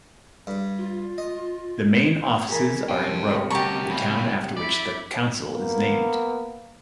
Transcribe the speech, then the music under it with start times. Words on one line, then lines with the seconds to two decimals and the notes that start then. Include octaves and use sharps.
The main offices are in Robe, the town after which the council is named.
0.47 G2
0.78 F4
1.18 D#5
2.49 E3 G#4 A#4 G#5
2.88 C3 G3 C#4 F5 G5
3.50 D2 B2 G4 A#5 C#6
3.91 C#3
4.57 E4 D5
5.53 A#3 B3